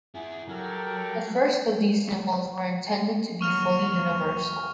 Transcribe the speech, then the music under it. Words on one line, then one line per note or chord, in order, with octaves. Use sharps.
The first of these symbols were intended to be fully universal.
E4 G#4
F#3 G4 A4 A#4
D#2 F#3 C#6 F6 F7